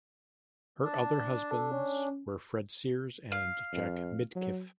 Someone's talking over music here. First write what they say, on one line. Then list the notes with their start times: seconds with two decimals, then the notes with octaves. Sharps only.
Her other husbands were Fred Sears and Jack Midkiff.
0.84 D4 A5
1.51 A4
1.72 C#4
3.32 F5
3.72 F2
4.35 F#3